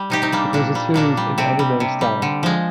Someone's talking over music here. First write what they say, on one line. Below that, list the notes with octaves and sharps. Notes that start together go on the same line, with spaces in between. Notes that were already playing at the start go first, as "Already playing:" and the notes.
It was a series in anime style.
Already playing: G3
C3 D#4 G4
C4 D#4
G3 A#3 D4
A#2 A#3 D4
G3
A#2 A#3 D4
G3
C3 C4
G3
C3
G3
D3
F3 G#3